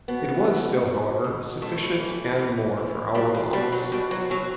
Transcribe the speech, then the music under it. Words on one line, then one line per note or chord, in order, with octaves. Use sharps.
It was still, however, sufficient, and more, for our wants.
B2 B3
B2
B2
B2
A2 A3
E3
E3 B3
E3
B2 G3
G3
B2 G3
F#3
B2 G3
F#3
B2 F#3